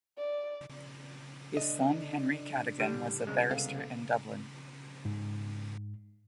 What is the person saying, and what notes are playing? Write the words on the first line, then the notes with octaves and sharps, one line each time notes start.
His son Henry Cadogan was a barrister in Dublin.
D5
D4 A4 D#5
A2 D3 G3
C2 C#3 G#3
B3 A4 F5
G#2